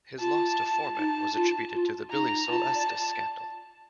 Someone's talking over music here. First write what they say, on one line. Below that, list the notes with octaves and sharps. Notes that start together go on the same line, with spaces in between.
His loss to Foreman was attributed to the Billie Sol Estes scandal.
F4 A5
D#4 A5
F4
F4
D#4 A#5
F4 A5
D5